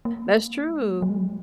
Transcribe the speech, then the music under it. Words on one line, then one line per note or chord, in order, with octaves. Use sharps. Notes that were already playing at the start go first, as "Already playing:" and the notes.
That's true.
A#3
G#3
F#3
G#3
F#3